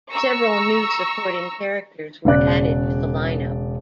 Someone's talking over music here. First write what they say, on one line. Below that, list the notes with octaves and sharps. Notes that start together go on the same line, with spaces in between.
Several new supporting characters were added to the lineup.
A#5 C#6 E6
E1 C#3 D5 F#6